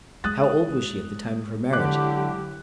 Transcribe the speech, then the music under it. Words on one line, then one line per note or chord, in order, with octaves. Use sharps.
"How old was she at the time of her marriage?"
G#3 D#6 F#6 A6
D3 F#3 E4 G4 D6 F#6